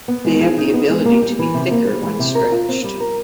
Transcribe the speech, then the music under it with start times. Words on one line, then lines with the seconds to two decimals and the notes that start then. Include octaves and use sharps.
They have the ability to be thicker when stretched.
0.08 B3
0.25 G#3
0.41 G#4
0.57 D#4
0.74 B3
0.90 G#3
1.05 A#3
1.22 G3
1.39 E3
1.54 C3
1.71 A#3
1.87 G3
2.03 E3
2.19 C3
2.35 A#4
2.52 F4
2.69 C4
2.84 G3
3.00 A#4